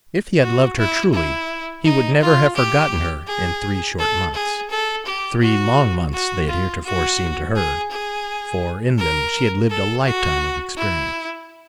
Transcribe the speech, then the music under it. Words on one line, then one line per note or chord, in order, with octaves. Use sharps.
If he had loved her truly, he would never have forgotten her in three short months,--three long months they had heretofore seemed to her, for in them she had lived a lifetime of experience.
F#4
E4
E4
D#4
F4
G4
G#4
A4
G#4
A4
G4
F#4
F#4
F4
F#4
G#4
G#4
A#4
A4
F#4
E4